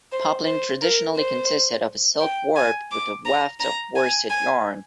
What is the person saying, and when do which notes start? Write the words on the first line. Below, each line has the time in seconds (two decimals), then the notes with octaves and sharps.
Poplin traditionally consisted of a silk warp with a weft of worsted yarn.
0.12 C5
0.47 C5
0.82 A#4
1.17 C5
2.21 G5
2.56 G#5
2.91 D6
3.25 A#5
3.60 A#5
3.96 G#5
4.30 G#5